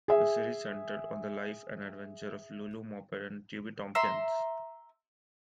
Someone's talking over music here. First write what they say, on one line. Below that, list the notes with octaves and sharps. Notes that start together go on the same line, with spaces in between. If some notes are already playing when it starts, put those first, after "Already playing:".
The series centered on the life and adventures of Lulu Moppet and Tubby Tompkins.
G#4 E5
E5 A#5 C6